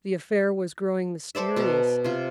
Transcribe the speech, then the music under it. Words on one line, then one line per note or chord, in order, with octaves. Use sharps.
The affair was growing mysterious.
A4 C5 D5 E5
B2 A5 A#5
C3 F4